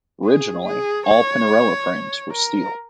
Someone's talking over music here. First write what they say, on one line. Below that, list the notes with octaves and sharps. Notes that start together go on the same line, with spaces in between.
Originally, all Pinarello frames were steel.
G#4
G#4
C#5
A#4